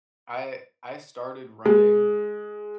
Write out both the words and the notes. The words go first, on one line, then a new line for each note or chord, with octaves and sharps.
I I started running,
G#3